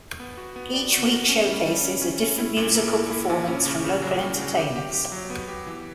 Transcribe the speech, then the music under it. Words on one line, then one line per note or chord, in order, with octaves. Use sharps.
Each week showcases a different musical performance from local entertainers.
B3
F#4
B3
D5
F#4
A#4
C#4
G3
G3
C#4
C#4
C#4
E4
A#2
A#3
E4
E4
A#2
C#4
C#3
C#3
F#3
C#3
C#3
G4
G4
G4
F#3
B3
G4
E3